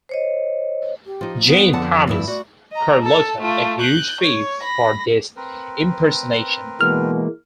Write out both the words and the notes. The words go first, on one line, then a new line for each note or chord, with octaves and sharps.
Jane promised Carlotta a huge fee for this impersonation.
C5 C#5 D#5
G4
F3 D#4
B3
F2 D3 F#5 A5
D2 G2 E4 E5
F#4 D5
D#5 A#5
A4
A3 F4
F#6 G6
C#5
B5 A#6
C4 A#4 B4
B2 E3 G#3 A#3 F6